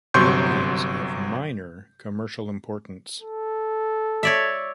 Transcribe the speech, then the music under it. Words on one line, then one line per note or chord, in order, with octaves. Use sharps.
It is of minor commercial importance.
G1 C3 F#3 C6 C#6 G6
A4
C#5 D5 E5